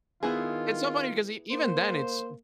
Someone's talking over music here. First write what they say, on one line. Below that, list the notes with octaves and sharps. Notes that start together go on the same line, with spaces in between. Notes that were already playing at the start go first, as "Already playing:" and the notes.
It's so funny because e even then, it's,
D#3 B3 E4 F4 G#4
A#3 C5